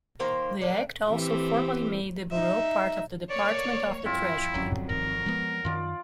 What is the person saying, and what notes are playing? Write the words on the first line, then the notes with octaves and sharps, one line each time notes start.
The act also formally made the bureau part of the Department of the Treasury.
D#3 A#3 C5 A#5
A#3 D4
E3 C4 G4
D#4 E5
A#3 C#5 D5
F2 G3 E4 F4
G1 F#2 F#3 C#4
G1 D#3 A#4
F3 G#3 B3
F#2 D#3 F4 D5